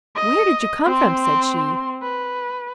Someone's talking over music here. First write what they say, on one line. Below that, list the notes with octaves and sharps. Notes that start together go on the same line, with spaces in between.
"Where did you come from?" said she.
D#5
C4 C6
B4